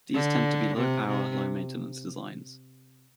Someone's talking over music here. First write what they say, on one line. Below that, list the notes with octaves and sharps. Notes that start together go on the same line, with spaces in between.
These tend to be low power, low maintenance designs.
D3
C3
C3